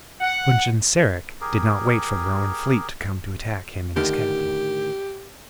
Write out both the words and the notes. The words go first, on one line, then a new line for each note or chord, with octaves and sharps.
But Genseric did not wait for the Roman fleet to come to attack him in his capital.
F#5
G4 G#4 A#4
A2 D3 D#3 G4